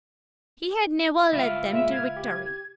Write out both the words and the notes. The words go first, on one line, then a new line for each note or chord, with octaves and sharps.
He had never led them to victory.
C#2 E4 F4 E5 E6 F6
A#2 G#3 E5
E5 F6 G#6
G4